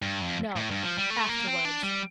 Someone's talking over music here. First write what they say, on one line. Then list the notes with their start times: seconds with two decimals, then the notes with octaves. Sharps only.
"No, afterwards."
0.02 G2
0.21 F2
0.56 A2
0.71 G2
0.83 F3
0.98 G3
1.10 A3
1.29 A#3
1.47 C4
1.65 D4
1.83 G3